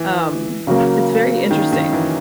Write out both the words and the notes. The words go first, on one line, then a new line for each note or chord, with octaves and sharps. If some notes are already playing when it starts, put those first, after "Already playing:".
Um, it's very interesting.
Already playing: E3
C#3 F#3 A#3
D#3
D#3
E3